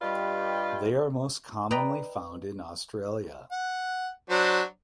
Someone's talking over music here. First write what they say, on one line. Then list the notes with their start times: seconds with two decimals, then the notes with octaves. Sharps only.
They are most commonly found in Australia.
0.02 G2 G3 F4 B4 D5 D#5
1.71 B4 D5 D#5 G5 A#5
3.52 F#5
4.30 F#3 D4 C5